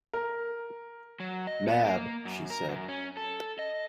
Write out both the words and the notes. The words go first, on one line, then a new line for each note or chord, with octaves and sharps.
Mab, she said.
A#4
F#3
D#5
B3
A#3
F#2
A#4
F#2
C#4
A4
D#5